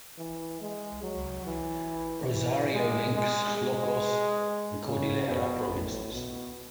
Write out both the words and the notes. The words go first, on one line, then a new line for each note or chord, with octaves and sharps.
Rosario links Ilocos and Cordillera Provinces.
E3
G#3
F#3
E3
E3
G#3
G#3
G#3
C#3
B2
A2
B2